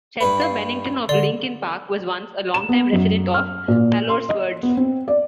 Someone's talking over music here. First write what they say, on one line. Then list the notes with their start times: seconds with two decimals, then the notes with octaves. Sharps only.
Chester Bennington of Linkin Park was once a longtime resident of Palos Verdes.
0.21 G2 B4
0.42 F5
1.09 D3 D5 C6
2.54 E7
2.69 B3
2.93 F#2
3.34 F6
3.68 A#2
4.09 C6
4.29 D#5
4.63 B3
4.77 C4
5.08 D5